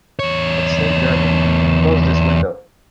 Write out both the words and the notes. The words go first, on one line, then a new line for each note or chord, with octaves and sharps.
But, Saint-Germain, close this window...
E2 C#5